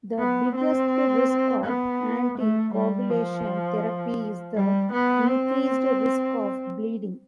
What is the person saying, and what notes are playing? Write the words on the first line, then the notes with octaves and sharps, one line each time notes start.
The biggest risk of anticoagulation therapy is the increased risk of bleeding.
B3
C4
B3
A3
G3
F3
G3
B3
C4